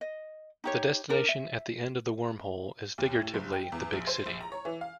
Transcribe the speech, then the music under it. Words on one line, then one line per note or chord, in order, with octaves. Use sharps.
The destination at the end of the wormhole is figuratively "the big city".
D#5
D#4 G4 C#5
D4 A#4
E5
D#2
A2
F#1
G5
E2
A#1
C5
A#1
A#5
C#5
E3
F5